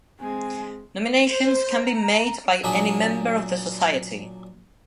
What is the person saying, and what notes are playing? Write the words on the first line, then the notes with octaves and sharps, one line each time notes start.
Nominations can be made by any member of the society.
G#3 C4 G#5
C5
A#5
A#2 F#3 D4 G#4 B5